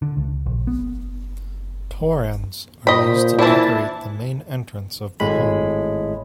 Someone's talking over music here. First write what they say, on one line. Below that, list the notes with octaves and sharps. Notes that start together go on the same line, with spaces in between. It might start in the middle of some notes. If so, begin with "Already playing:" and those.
Torans are used to decorate the main entrance of the home.
D3
C#2
A#1
B3
A#2 C5 D#5 B5
E3 D4 E4 A5
G#1 A2 G#3 B5